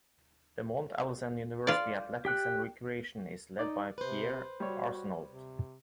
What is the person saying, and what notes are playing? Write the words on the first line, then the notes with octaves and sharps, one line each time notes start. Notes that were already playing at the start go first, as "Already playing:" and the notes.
The Mount Allison University Athletics and Recreation is led by Pierre Arsenault.
F4 D5
G4 G5 F#6
D#4 D5
C3 B4 C5
G3 F#4 C#5
C3